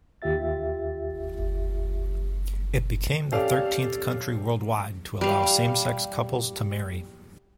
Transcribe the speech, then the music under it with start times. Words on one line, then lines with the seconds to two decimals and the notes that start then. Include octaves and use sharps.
It became the thirteenth country worldwide to allow same-sex couples to marry.
0.22 D#2 F4 G4 E5 A6
3.32 C#4 G4 A4 D5 F5
5.21 G3 F5